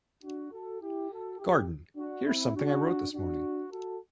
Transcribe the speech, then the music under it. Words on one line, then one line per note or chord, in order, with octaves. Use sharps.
Garden: "Here's something I wrote this morning".
D4 F#4
F#4 A4
E4 G4
F#4 A4
E4 G4
D4 F#4
C4 E4
D4 F#4
D4 F#4
F#4 A4